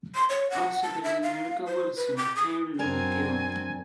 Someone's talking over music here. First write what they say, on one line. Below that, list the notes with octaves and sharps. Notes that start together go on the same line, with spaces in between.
Also, there is an "Erica Wilson-Heirloom Guild".
C6
C#5
F#5
A5
E5
F5
C5
B4
D6
D#6
F#2 C4 D4 A#4 G#5